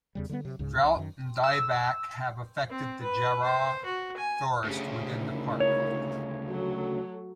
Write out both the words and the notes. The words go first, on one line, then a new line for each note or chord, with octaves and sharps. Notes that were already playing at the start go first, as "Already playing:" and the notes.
Drought and dieback have affected the jarrah forest within the park.
E2 C#3 G3
D3 G3 A#3 B3
C3 F#3
C#2 G#2 C#3
C2
F#2 D#3
E6
C4
B4
C5
F#4
G#5
D2 C#3 G4
D#4 E4 A#4
C#5
F#3 A3 A4